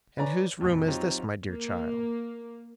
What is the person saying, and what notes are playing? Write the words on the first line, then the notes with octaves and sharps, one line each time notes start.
"And whose room is this, my dear child?"
B4 C#5 D5 G#5 A#5
F2 A#2
F#3 C4 D#4 F4 G4
A#3